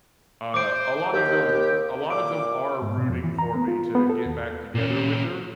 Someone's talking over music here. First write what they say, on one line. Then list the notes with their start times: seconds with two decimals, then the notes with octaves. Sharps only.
Uh, a lot of them a lot of them are rooting for me to get back together with her.
0.54 C5 D6 D7
1.13 D#2 G4
2.10 A#2 D6 D7
2.82 G#2
2.98 B2
3.10 F2
3.24 E3
3.39 A#5
3.56 B3
3.68 F4
3.95 B3
4.10 A4
4.26 D#2
4.75 A#2 C#4